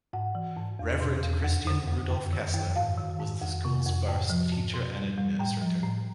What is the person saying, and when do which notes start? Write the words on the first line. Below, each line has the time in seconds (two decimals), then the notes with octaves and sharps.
Reverend Christian Rudolph Kessler was the school's first teacher and administrator.
0.13 G#2 F#5
0.35 E3
0.57 G#2
0.79 E2
1.01 B2
1.23 E2
1.44 F2
1.67 D3
1.88 F2
2.11 F#2
2.33 D#3
2.54 F#2
2.76 G#2 F5
2.98 D#3
3.20 G#2
3.41 F2
3.65 C3
3.86 F2
4.08 G#2 G5
4.30 F3
4.52 G#2
4.74 B2
4.95 G3
5.17 G3
5.39 A2 G5
5.61 F3
5.83 A2